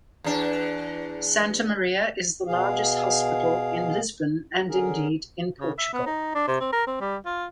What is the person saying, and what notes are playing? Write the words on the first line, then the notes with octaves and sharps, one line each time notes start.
Santa Maria is the largest hospital in Lisbon and indeed in Portugal.
E2 D4
B2 G#4 F5
D3 C#4 G#4 A#4
C#3
E5
B3
D#4
D4
C3
C4
A#4
C4
G3
F4